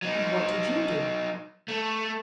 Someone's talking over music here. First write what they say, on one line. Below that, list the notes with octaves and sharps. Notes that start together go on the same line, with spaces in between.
'And what did you do?'
F#3 D#4
A3